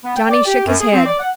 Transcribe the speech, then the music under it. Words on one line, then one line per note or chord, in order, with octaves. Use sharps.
Johnny shook his head.
B3
G5
D5
G4
F#2
G#4
C4
D5
F#5